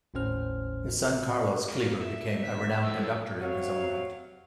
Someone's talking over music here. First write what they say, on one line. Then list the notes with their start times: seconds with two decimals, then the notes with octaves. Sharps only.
His son Carlos Kleiber became a renowned conductor in his own right.
0.14 G#1 D#2 A2 C#4 C5 F6
1.68 F#3 A#3 B3
2.01 A#2 E5
2.43 D#3 B6
2.83 F2 A2 F3 E6
3.41 C3 F#3 C#5 F5